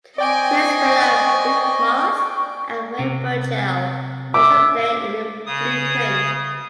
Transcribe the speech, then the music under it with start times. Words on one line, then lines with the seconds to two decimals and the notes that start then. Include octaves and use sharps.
Chris Billam, Luke Moss and Will Burchell also play in The Blueprint.
0.18 C4 D5 D#5 G5 G#5 C#6 D7
2.99 C3
4.34 E5 D6
5.46 C#3 D#6